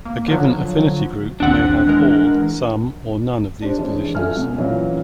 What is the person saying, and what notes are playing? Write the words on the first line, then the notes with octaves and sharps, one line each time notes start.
A given Affinity group may have all, some or none of these positions.
A#3
D3 F3 F#3
A#1 D#2 C4 D4 F#5
E3 G#3 A#4
D4 G4 C5
E3 G#3 C#4 D4 G#4
F#4 A4 E5 G#5 F6
C#2 B2
A#2 C#3 E3 F#3 A#3